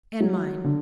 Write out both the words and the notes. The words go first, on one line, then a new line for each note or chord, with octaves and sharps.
"And mine."
F#3
D3